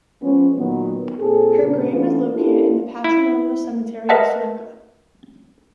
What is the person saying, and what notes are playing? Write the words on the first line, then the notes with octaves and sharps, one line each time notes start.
Her grave is located in the Patrimonial Cemetery of Cuenca.
F3 G#3 B3 C#4
A#2 D#3 F#3 B3
A#2 C4 G#4 A4
G2 A#2 C#3 D4 A#4
E3 A3 B3 C#4 D4 F4
C#4 D4 E4 F4 G4 A4
E4
A#4 B4 D#5 E5 F#5 A5